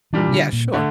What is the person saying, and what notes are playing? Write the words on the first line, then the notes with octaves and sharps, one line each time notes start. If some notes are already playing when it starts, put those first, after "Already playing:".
Yeah, sure.
A#2 E3 G3 D4
C3
D3
A#2
D3 A3